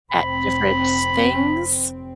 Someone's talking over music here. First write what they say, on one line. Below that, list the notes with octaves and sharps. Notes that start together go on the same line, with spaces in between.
at different s things
F1 C4 B5